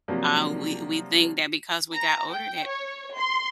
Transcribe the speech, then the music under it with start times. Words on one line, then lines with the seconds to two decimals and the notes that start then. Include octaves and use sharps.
uh, we we think that because we got older that
0.08 C3 F3 F#3 A#3 D4
1.92 A#5
2.32 G5
2.67 C#5
3.17 C6